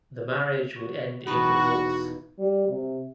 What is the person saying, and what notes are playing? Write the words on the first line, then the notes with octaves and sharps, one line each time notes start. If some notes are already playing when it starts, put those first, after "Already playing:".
The marriage would end in divorce.
F#4
E1 B3 D#4 F#4 B4 A5
G3
C3